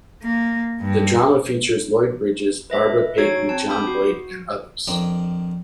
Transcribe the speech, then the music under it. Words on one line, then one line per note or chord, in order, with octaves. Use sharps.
The drama features Lloyd Bridges, Barbara Payton, John Hoyt, and others.
A#3
G2
B4 D#5 E5
D#4 F#4 G#4 C#5 G#6 D7
C4 A5
B5 D6 D#6 G6
F#4
F2 D#3 D4 A#5 D#6